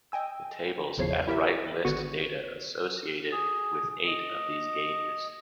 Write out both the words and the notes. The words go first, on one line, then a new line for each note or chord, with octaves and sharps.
The tables at right list data associated with eight of these gauges.
D#5 G5 G#5 E6
G#1 E2 C#3 F3 C#5 C7
E4 G4 A#4 E5
G#1 D3 B3 F#4 C#7 D#7
G#4
D#5